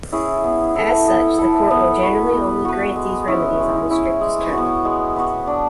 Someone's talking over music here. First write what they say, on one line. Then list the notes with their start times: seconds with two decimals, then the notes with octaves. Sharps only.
As such, the court will generally only grant these remedies on the strictest terms.
0.12 C#4 E4 G#4
0.44 B3
0.75 E4 A4
1.08 B3
1.38 E4 A4
1.71 B3
2.02 F#4 B4
2.33 B3
2.65 F#4 B4
2.96 G#3
3.28 C#4 E4
3.59 G#3
3.90 C#4 E4
4.21 G#3
4.53 B3 F#4
4.85 G#3
5.16 B3 F#4
5.47 D4